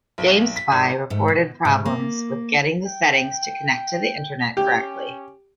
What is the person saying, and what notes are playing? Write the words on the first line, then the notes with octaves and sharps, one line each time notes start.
Gamespy reported problems with getting the settings to connect to the Internet correctly.
B1
B6
G#1
G#2 A3
B2
G#2 C3
A#3
G5
C#4 G4